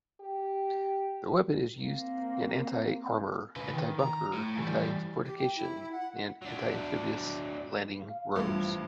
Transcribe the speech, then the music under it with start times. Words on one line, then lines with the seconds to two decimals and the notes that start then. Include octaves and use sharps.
The weapon is used in anti-armor, anti-bunker, anti-fortification and anti-amphibious landing roles.
0.21 G4
1.81 A#3 C4
3.56 C#3 B4
3.74 D#3
4.00 A#5
4.33 A2
4.58 E3 G3
5.24 G4
5.38 G5
5.56 E4
5.92 F#5
6.42 F#3 D4
8.01 F5
8.36 A1 G2 F3